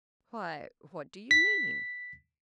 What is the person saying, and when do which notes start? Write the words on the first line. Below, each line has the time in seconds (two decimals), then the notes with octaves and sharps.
"Why, what do you mean?"
1.31 B6